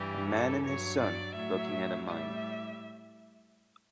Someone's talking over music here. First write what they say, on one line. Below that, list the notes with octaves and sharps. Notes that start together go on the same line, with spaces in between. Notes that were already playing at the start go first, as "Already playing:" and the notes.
A man and his son looking at a mime.
Already playing: G2 E3 G3 G4
A4
G2 F#3 C#5
D5
A2 F#3 E5
A2 G3 E5